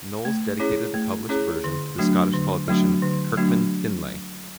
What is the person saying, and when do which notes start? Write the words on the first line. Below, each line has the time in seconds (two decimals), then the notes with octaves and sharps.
Knowles dedicated the published version to the Scottish politician Kirkman Finlay.
0.25 A3
0.60 C#4 E4 G#4 C#5
0.94 A3
1.29 C#4 E4 G#4 C#5
1.64 D3
1.98 F#3 A3 D4 F#4
2.34 D3
2.68 F#3 A3 D4 F#4
3.02 D3
3.37 F#3 A3 D4 F#4